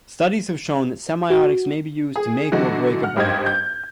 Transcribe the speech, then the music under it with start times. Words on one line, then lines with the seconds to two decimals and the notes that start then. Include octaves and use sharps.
Studies have shown that semiotics may be used to make or break a brand.
1.30 F#4
2.16 G#4
2.52 D3 E3 F#3 D#4 F#4
3.03 F#5 F6
3.16 G#1 G2 G4 C5 D#5 G#6
3.46 G6